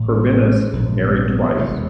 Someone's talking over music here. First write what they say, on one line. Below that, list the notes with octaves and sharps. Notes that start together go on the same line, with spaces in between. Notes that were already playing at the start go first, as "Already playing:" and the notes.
Corvinus married twice.
Already playing: A1 A2
C#4
A#1 G#2
B3
C4
B3
B3
E1 E2 C3 A3